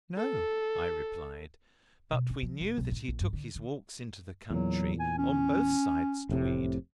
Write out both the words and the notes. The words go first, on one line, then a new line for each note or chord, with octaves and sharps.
"No," I replied; "but we knew that he took his walks into the country on both sides Tweed."
A4
B2
C#4
F3
E1
B1
A2
A#1
G2
D3
D3
E2 A#2 F#3
G#5
C#4
F1 A2 C3